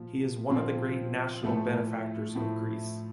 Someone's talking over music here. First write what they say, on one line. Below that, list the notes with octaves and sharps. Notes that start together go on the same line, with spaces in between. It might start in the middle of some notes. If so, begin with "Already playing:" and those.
He is one of the great national benefactors of Greece.
Already playing: A#2 F3 F4
A#2 F3 C4 F4
A2 F3 A3 E4 A4
A2 F3 A3 E4 A4